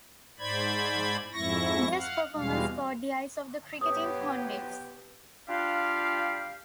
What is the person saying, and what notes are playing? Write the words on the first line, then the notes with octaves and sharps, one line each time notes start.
This performance caught the eyes of the cricketing pundits.
G#2 C5 D5 B5 G#6
F2 G#2 E4 C#6 A#6
F5 F#5
E2 B2 G3 G#3 F5
B3 G4 B4 C#5 D#6
G3 D4 F4 G4 F5